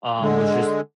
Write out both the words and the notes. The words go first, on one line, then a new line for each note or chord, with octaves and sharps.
um, was just
D3 G#3